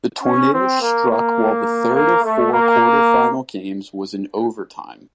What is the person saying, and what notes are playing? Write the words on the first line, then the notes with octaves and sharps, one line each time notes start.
The tornado struck while the third of four quarterfinal games was in overtime.
C#4
C4
A#3
A#3
A#3
A3
A#3